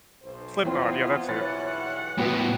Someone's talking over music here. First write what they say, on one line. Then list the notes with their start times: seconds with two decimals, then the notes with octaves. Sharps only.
Slipknot, yeah, that's it.
0.23 B1 C5
0.63 E2 E3 B3 C4 F4
1.29 B1 G2 E3 C#5 F#5 A6
2.18 F#2 A2 C3 E3 B3 F#4 B4 G5